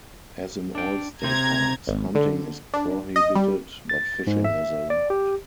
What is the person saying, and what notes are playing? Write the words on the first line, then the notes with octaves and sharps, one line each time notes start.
As in all state parks, hunting is prohibited, but fishing is allowed.
D4 G5
C3 C4 A#5 G#6
G#1
D3
D4
D#5
G3
A6
G#2
E5
D5
G4